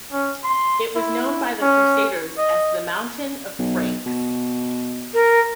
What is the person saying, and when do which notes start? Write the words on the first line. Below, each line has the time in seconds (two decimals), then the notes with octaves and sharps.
It was known by the Crusaders as the "Mountain of Franks".
0.12 C#4
0.43 C6
0.96 E4
1.61 C#4
2.38 D#5
3.59 B1
4.06 B2
5.14 A#4